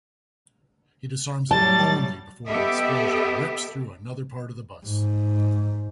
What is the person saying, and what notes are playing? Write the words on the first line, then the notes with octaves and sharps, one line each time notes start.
He disarms it only before an explosion rips through another part of the bus.
A2 F#3 G3 A5 A6
B3 G4 A4 D#5 E5
G#2